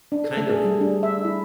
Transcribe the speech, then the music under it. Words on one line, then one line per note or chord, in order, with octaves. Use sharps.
kind of
D4
A4
A3
G#4
G3
D4
E5
E4